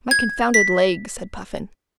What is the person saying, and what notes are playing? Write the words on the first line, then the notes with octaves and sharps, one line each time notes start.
"My confounded leg!" said Puffin.
G#6
B6